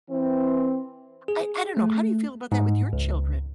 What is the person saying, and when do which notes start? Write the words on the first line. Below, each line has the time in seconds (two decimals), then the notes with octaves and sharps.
I I don't know. How do you feel about that with your children?
0.11 E3 C4
1.28 G#4
1.77 A3
2.52 G#2
2.93 C#2